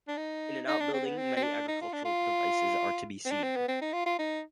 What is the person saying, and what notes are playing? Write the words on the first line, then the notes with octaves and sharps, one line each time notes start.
In an outbuilding, many agricultural devices are to be seen.
D4
D#4
D#4
D4
C4
B3
C4
C4
D4
D#4
F4
D4
F4
C4
D4
C4
B3
C4
D#4
F4
F4
D#4